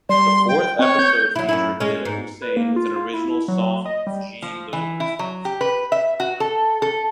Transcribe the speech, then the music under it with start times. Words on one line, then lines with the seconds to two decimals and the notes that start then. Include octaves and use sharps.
The fourth episode featured Nida Hussain with an original song Jee Loon.
0.09 G3 C6
0.48 G5
0.79 C4 C#5
0.99 G6
1.36 F#3 E4
1.49 F#2 C#4 E4
1.80 G#3 C#4
2.05 G#2
2.42 B4
2.57 A#3
2.76 F4
2.96 F4
3.13 E4
3.48 F#3
3.85 D#5
4.07 G3
4.42 F3
4.73 E3
5.00 E4
5.19 F#3
5.45 G4
5.61 B4
5.92 E5
6.20 F#4
6.40 A4
6.82 A4